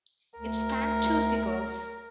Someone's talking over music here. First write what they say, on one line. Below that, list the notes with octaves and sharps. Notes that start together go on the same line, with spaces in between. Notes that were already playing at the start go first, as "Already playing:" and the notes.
It spanned two sequels.
D2 A#4